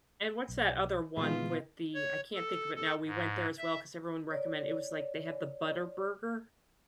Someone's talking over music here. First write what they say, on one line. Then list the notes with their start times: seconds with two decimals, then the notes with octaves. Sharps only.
And what's that other one with the I can't think of it now, we went there as well ‘cause everyone recommend it was like they have the Butter Burger.
0.49 B1
1.17 A#2 D3 E3 G#3 B3 F4
1.94 C#5
2.34 A4
2.75 A4
3.06 G#2
3.58 E5
4.31 C#5 D5